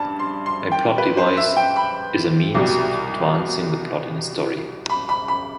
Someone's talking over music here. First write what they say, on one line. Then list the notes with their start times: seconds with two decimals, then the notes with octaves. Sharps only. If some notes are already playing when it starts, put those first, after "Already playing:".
A plot device is a means of advancing the plot in a story.
Already playing: G2 A5
0.19 C6
0.46 C6
0.72 G5
0.98 B4
1.17 C5
1.37 E5
1.57 G5
1.76 B5
2.55 C2 B2 G3
4.90 B5
5.09 B5
5.28 B5